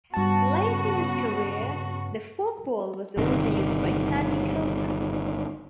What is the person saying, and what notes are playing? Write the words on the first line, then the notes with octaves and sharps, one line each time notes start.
Late in his career, the forkball was also used by Sandy Koufax.
G2 C#3 B3 F#4 A5
G1 C3 D#3